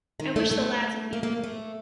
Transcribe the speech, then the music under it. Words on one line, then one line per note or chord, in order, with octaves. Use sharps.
I wish the lads would be with me.
D#3
A3
A3
A#3
A#3
A3